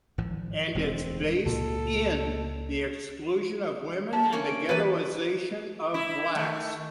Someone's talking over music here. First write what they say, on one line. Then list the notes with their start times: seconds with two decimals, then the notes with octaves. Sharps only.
And it's based "in" the exclusion of women and the ghettoization of blacks.
0.18 G#1 A2 F3
0.75 E1 D2 G#3 C4
1.46 C#2 A#2 A4
4.13 A3 A5
4.32 A#3 C#4 C#5
4.46 D7
4.69 E3 A#3 B4 A6
5.94 E4
6.36 D#3 A3